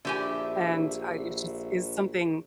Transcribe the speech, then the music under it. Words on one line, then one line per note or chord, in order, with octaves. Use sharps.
and, uh, it’s just is something
A#1 D3 E4 G4 E5 G#5